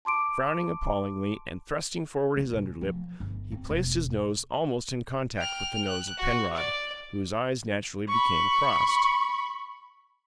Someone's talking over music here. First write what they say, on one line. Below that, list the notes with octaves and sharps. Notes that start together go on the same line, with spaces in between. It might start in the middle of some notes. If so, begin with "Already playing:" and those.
Frowning appallingly, and thrusting forward his underlip, he placed his nose almost in contact with the nose of Penrod, whose eyes naturally became crossed.
A5 C6 D6 D7
E3
C#3
F3
G1
C4
E1
G5 F6
F#6
F#4
D5
B5 C#6